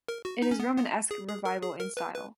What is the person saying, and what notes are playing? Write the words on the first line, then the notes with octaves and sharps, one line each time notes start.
It is Romanesque Revival in style.
A#4
F#4
D#4
C#4
B3
B3
G#4
G#4
A#4
G#4
A#4
B4
B4